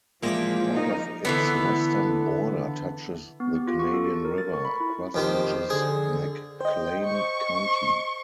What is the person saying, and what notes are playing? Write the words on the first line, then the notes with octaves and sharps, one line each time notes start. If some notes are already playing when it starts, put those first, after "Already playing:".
Part of its western border touches the Canadian River, across which is McClain County.
A#2 E3 F3 G#3 G5 D6
D#4 A#4
D3 E3 B3
B3
G4
F4
C#6
A4
A6
A#4
A6
C#6
B5
E4
F2 D#3 G4 C5
D3 G#4
C5 D#5 G5
C#6